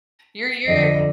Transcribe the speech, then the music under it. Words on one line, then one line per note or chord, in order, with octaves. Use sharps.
you're you're
F2 D3 D#5